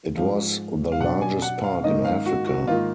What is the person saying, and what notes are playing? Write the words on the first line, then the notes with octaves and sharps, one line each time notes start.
It was the largest park in Africa.
G#2 F3 G#3 F5
F5
B2 F#3 D4 F#5
G#5
F#5
F5
G#2 D#3 A#3 D#4 D#5
F5
F#4
F#4
G#2 D#3 A#3 D#4 F4